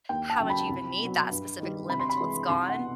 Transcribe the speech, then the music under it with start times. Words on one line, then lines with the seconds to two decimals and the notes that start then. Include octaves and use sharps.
how much you even need that specific limb until it's gone,
0.09 D#2 G5
0.30 A5
0.40 C#3 F#3
0.50 B5
0.69 C2
0.99 B2
1.04 F#3
1.30 G2
1.59 D#3 G3
1.89 C3 B5
2.00 C6
2.10 B5
2.20 E3 G#3
2.49 C2 C6
2.69 F#5
2.80 B2